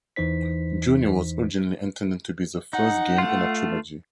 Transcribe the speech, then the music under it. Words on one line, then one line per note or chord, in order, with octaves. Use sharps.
"Journey" was originally intended to be the first game in a trilogy.
E2 E3 D#4 C5 B6
D#4 F#5
A3 F4